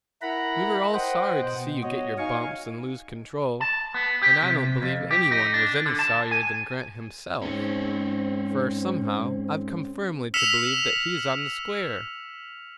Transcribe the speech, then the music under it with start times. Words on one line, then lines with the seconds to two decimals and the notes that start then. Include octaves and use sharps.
We were all sorry to see you get your bumps and lose control, and I don't believe any one was any sorrier than Grant himself; for, somehow, I've come firmly to believe that he's on the square.
0.22 E4 A#4 F#5 A#5 B5
0.94 C5 D#5 F#5 G5
1.40 B2
1.83 F#4 C#5 D#5
2.18 D#4 F5 G#5 C#6
3.60 A5
3.94 B3
4.22 G4
4.42 C3
4.82 F2
5.11 G4
5.32 D#4
5.54 D4
5.86 D3
5.99 A5
6.31 G#5
7.42 G#2 C4 C#4
10.34 E6 F6 B6 C#7 E7 F7